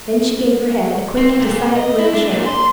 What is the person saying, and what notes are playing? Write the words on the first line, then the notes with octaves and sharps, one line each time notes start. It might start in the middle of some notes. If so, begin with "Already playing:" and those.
Then she gave her head a quick decided little shake.
C4
A#2
D#5
E4
D4
A#2
C6